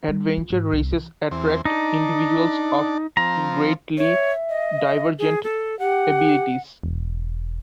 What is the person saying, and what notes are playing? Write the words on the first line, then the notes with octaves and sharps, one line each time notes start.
Adventure races attract individuals of greatly divergent abilities.
G3
F4
G#2
C2
E3
E2 C4
D4 D#4 A5
F3 C4 A#5
C#5 E5
D#5
G#4
A4
G4 F#5
E1